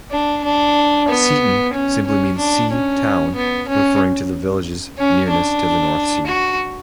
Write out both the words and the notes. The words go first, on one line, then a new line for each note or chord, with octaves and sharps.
'Seaton' simply means 'sea town', referring to the village's nearness to the North Sea.
D4
D4
B3
C#4
C#4
D4
C#4
B3
C#4
C#4
D4
F#4